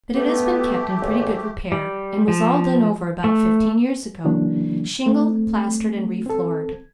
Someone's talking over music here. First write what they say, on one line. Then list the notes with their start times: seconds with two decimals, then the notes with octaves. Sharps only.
But it has been kept in pretty good repair, and was all done over about fifteen years ago--shingled, plastered and re-floored.
0.15 A3 B3 G4
1.01 G#1
1.72 G3
2.28 F3
3.24 A3
4.24 C#3 E3 F#3 A#3 D4
5.06 A3 C4
6.26 C4 A4